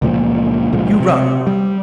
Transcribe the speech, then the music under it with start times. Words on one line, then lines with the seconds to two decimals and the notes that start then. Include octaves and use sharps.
You run!
0.02 C#2 A#2 F3
0.73 C#2 A#2 F3 G#3
1.00 C3
1.47 G3